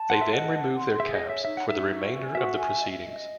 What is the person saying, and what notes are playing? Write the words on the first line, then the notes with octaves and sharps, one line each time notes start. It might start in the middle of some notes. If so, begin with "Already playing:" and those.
They then remove their caps for the remainder of the proceedings.
Already playing: A5
F#5 C6
E5
D#5 F#5
A5
C6
G#4 E5
D#5
C#5
E5
D#4 E5
F#5
D#4 E5
F#4
G#5
F#4 E5
G#5
D#5
D#5